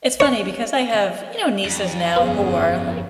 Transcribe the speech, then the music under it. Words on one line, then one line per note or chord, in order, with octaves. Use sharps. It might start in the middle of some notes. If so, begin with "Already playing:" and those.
it's funny because I have, you know, nieces now who are, like
C#5
F2
G1 B3 C#4 G#4 B4